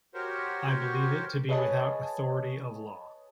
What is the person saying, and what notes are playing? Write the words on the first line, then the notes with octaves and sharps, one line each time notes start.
I believe it to be without authority of law.
F#4 G4 A#4 C5 C#5
G#4 B4 C#5 D#5 G#5 A5